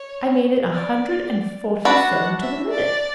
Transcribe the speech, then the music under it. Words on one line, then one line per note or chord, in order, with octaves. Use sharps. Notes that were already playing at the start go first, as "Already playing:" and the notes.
I made it a hundred and forty-seven to the minute.
Already playing: C#5
D5
D4 F#4 B4 F#5
E5
D5